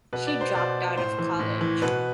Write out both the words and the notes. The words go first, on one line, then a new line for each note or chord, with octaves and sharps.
She dropped out of college.
B2 B4
D5
C5
B2 D5
A2 C5
E3
A2
E3
B2 B4